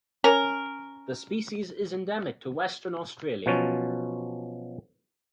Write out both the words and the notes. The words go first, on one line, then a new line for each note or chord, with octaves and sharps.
The species is endemic to Western Australia.
C#4 A#4
B2 F3 F#3 C#4